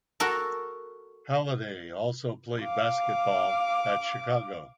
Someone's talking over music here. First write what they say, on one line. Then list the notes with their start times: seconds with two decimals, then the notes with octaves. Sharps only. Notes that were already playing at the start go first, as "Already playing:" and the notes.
Halladay also played basketball at Chicago.
0.20 F#4 A4 A#4
2.63 F5 D6